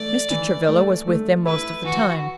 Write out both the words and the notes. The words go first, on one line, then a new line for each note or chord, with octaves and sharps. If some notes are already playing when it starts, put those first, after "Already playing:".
Mr. Travilla was with them most of the time.
Already playing: E3 A3 D5
E3
A3
A3
E4 B4
E3 F#4